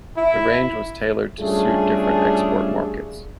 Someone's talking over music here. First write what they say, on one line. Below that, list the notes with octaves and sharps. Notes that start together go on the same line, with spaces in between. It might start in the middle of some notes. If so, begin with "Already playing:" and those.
The range was tailored to suit different export markets.
E4
G3 A3 C#4 D4 F4 G#4